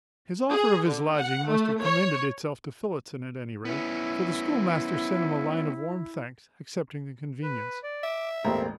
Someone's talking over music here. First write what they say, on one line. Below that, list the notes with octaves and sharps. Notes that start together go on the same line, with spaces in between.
His offer of his lodging must have commended itself to Phillotson at any rate, for the schoolmaster sent him a line of warm thanks, accepting the convenience.
G#4
D3
F#5
A3
C#5
B3 C#4 E4
B4
D5
E5 D6
E1 A1 A3 A#3 C4 G4 A#5